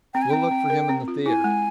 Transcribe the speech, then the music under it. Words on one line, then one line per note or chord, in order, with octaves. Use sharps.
We'll look for him in the theater.
C4 G5
G#5
C4 G5
C4
A#4
C4
F4
E4 G#5
G#3